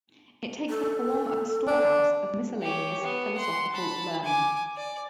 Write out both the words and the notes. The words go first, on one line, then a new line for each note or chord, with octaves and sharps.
It takes the form of a storehouse of miscellaneous philosophical learning.
A4
D4
G4 C#5
B3
F#5 C6
A5 B5
G#5 D6
D5